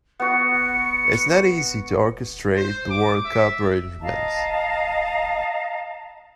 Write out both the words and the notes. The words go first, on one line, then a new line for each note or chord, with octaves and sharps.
It is not easy to orchestrate the world cup arrangements.
B3 F#4 C#7
C5
D6
E5
D#5 F5 A5 A#5